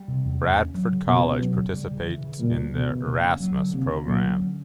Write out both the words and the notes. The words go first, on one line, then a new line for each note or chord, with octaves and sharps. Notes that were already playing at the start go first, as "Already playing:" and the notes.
Bradford College participates in the Erasmus Programme.
Already playing: G3
C3
E2
A#3
C#4
F#3
C#3
B2 A#3
C#4
F#3
C#3
G3
C#3
E3
C#3
A#2 G3
C#3
B2 E3
C#3
A#3
C#4
F#3
D3
C3 A#3
C#4
A#2 F#3
D3
C#4